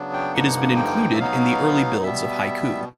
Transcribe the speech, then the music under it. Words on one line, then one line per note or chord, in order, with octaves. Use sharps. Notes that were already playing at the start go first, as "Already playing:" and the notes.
It has been included in the early builds of Haiku.
Already playing: C#3 F#3 B3 D4
G5
G2 D3 F3 A#3 D#4 F#5
G5
E5
B2 F#3 B3 D#4 F5
B2 G3 B3 E5